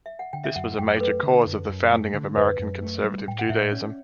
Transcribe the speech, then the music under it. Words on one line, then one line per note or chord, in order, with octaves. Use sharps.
This was a major cause of the founding of American Conservative Judaism.
E5
F#5
D3 G5
E5
F#2 F#5
F#2 G5
A4
A3 B4
D3
F#2
F#2
A3
D3
F#2 B4
F#2
A3
G3
A2 G5
F#5
A2 E5
D5
C#4 C#5